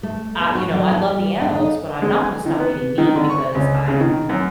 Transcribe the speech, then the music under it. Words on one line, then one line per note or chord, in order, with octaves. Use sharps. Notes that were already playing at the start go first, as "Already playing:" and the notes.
I you know, I love the animals, but I'm not gonna stop eating meat because I'm,
A3
B3
F#4
F#3
A4
G3
D4
D#4
G#3
G#5
D#3
B3
D#3
D3
C#6
C#2
C#3
D#3
F#2